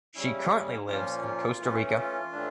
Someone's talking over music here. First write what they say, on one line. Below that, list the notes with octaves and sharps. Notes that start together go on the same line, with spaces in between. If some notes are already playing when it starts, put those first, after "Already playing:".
She currently lives in Costa Rica.
C#3 G3 C#4 E4
A#2 F3 A#3 C#4 F4
F4
E3 A3 C#4
F4
A2 E3 A3 D4